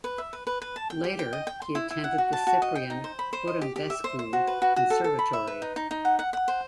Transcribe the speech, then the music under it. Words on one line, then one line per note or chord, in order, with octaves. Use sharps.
Later he attended the Ciprian Porumbescu Conservatory.
B4
E5
B4
B4
B4
A5
G5
G4
G5
D#5
G5
C6
E4
E4
F#5
F#4
A5
F#4
D#5
G5
D#4
C5
B5
C5
D#5
G4
G4
E5
C5
C5
F#4
B4
F#4
F#4
A4
A4
B5
E5
B4
D#4
D#4
D#4
F#5
F#5
F#5
C5